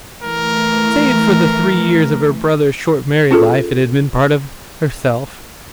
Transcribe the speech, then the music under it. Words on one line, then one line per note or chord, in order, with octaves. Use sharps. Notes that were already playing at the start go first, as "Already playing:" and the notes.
Save for the three years of her brother's short married life, it had been part of herself.
E3 A3 A#4
C#4 F4 G#4 A4